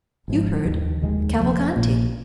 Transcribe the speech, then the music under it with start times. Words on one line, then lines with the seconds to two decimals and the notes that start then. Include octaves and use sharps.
"You heard--Cavalcanti."
0.28 G#1 G#2 F3
0.65 F1 D#2 D#3
1.01 F1 D#2 D#3 G#3
1.39 F1 F2 F3 A#3
1.76 A#1 A#2 A#3